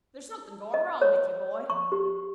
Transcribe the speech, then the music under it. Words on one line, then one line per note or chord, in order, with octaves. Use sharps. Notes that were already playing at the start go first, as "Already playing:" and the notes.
There's something going wrong with you, boy.
D#5
C#5
C#6
G4